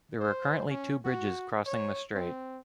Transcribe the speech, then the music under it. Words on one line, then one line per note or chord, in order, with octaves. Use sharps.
There are currently two bridges crossing the strait.
C5
C#4
F#4
C#5
C4